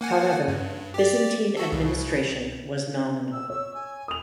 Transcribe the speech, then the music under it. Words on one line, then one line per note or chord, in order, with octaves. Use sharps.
However, Byzantine administration was nominal.
A#3 F#5 G#5
G2
G4 D5
F#4 A4
C2
E6
C#5 E6
G#5
D#6 F7